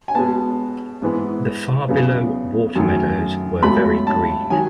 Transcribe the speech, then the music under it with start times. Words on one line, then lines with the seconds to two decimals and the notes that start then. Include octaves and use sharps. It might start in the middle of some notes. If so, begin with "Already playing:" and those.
The far-below water-meadows were very green.
0.08 G#5
0.15 B2 G#3 B3 A5
1.02 G#2 E3 G#3 B3
1.88 E2 C#3 F#3 B3
2.75 F#2 D#3 A3
3.63 C#2 B2 F#3 A3 B5
4.07 A5
4.50 D#3 F#3 G#5